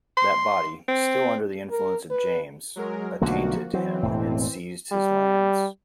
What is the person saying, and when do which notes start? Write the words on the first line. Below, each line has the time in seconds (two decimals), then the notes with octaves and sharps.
That body, still under the influence of James, attainted him and seized his lands.
0.17 C6
0.88 C4
1.71 A#4
2.11 B4
2.76 F#3 G#3 A#4
3.22 B1 D3 F3 A3 A#3 F#4
3.74 E3 F#3 C4
4.03 E1 A2
4.92 G3